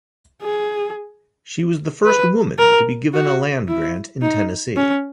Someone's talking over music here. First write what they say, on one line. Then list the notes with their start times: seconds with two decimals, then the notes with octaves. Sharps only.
She was the first woman to be given a land grant in Tennessee.
0.42 G#4
2.05 B4
2.59 A#4
3.14 F#4
3.68 E4
4.22 D#4
4.76 C#4